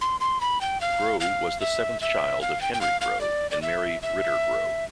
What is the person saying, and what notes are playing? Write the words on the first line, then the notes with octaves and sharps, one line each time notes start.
Grow was the seventh child of Henry Grow and Mary Riter Grow.
C6
C6
B5
G5
F5
F5
E5
E5
F5
G5
G5
F5
F5
D5
D5
E5
E5